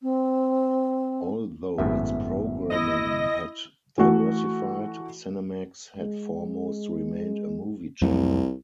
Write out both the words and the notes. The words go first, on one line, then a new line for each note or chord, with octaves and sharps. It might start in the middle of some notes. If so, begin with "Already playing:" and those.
Although its programming had diversified, Cinemax had foremost remained a movie channel.
C4
G#1 F#2 A2 B3 E5
E4 D#5 A#6
E3 A3 F#4
G#3
C2 F2 F#3 A3